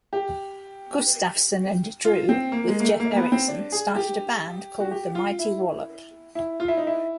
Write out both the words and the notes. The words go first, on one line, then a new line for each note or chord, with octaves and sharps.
Gustafson and Drew, with Jeff Erickson started a band called The Mighty Wallop!
G4
F4
C4
A#3
G#3
A#3
A3
A#3
A#3
B3
C4
D4
G#4
G4
F#4
G4
F4
E4
E4
F4
E4
D#4
E4